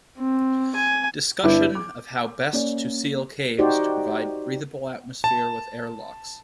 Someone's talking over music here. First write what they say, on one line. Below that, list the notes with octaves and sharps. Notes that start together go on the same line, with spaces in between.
Discussion of how best to seal caves to provide breathable atmosphere with air locks.
C4
G#5
G1 D4 E4 B4 D6 G6
D6
A#3 C#4 D5
D#4 F#4 G4 C5 D5
A5